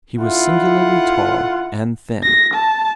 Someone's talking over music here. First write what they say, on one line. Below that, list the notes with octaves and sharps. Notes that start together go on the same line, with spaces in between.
He was singularly tall and thin.
D3 E4 F4 F#5
A#6
A5